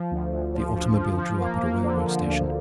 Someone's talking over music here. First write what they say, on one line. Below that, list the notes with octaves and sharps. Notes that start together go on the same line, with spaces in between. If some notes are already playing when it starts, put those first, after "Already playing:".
The automobile drew up at a railroad station.
Already playing: F3
D2
D2
F3
F3
F3
F3
A#3
A#3
D3
F3
D2